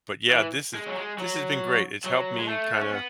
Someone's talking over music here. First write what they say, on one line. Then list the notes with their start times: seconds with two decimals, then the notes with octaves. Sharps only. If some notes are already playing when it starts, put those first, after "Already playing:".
but yeah, this has this has been great. It's helped me kinda,
0.31 E3
0.74 G#3
0.87 F#3
0.96 G#3
1.18 F#3
2.04 F#3
2.39 G#3
2.49 A3
2.81 C#4
2.92 B3